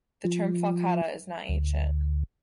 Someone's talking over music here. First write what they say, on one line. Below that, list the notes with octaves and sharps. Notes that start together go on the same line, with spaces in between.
The term "falcata" is not ancient.
F3
D2